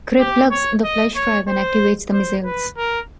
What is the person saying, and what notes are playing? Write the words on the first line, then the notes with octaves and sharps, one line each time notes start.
Cray plugs in the flash drive and activates the missiles.
G4
C#5
D#5
C#5
C5
C5
B4
A#4